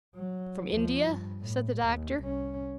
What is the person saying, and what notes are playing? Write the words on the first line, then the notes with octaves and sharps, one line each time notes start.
'From India?' said the Doctor.
F#3
D#2 F3
G2
A2
D#2
C2 C#4